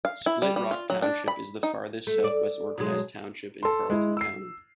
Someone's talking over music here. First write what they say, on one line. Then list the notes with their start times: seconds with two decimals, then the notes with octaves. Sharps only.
Split Rock Township is the farthest southwest organized township in Carlton County.
0.05 F5
0.26 E4
0.42 G3
0.56 G3
0.71 F4
0.90 F#3
1.02 D4
1.28 B5
1.63 D#4
2.07 A3
2.24 D5
2.78 B2 F#3 G#3
3.63 A4 C6
3.90 G#3 E4
4.17 E6 C7